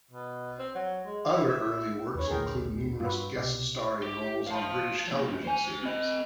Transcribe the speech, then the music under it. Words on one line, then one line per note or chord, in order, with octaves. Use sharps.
Other early works include numerous guest-starring roles on British television series.
B2
C4
F#3
G#3
E4
E5
D#2 D4 B4 C#5
D#1 A#1 D3 G#4 A#4 G5
G2 F4 F#4 B4
C2 B2 G4 D5
G4
F5 A5
F#3 A#3
C5 G#5
C4 D#5